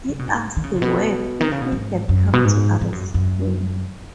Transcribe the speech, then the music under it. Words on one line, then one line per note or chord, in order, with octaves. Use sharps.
He asked Webb if he had come to arrest him.
C#3
B2
G#2
D#3
C#3
G#2
B2
D#3
C#3
B2
G#2
F#2
B2
G#2
G#2
F#2
F#2